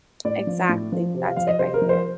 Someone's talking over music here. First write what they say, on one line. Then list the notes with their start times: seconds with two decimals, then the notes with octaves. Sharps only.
Exactly, that's it right there.
0.25 A2 D5
0.47 F3
0.69 A2
0.92 F3
1.15 C3
1.26 F5
1.36 F3 F5
1.47 D#5
1.59 C3 C5
1.74 A#4
1.82 F3
1.89 C5